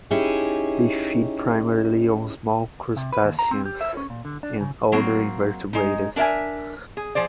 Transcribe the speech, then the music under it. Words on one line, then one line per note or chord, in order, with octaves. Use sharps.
They feed primarily on small crustaceans and other invertebrates.
C#4 D#4 E4 G4 G#4
C3
B4
D#2
A#5
C4
G4
E5
C#4
A#2
D3
D4
C#3
F#3 A#3 C4
G#3 D#4
D4 A#4 D#5 E5 G#5
G#4
F3 G#4 C5 D5